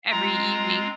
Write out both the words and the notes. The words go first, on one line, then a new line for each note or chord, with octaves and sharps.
every evening.
G#3 C4 F4 A#5 C6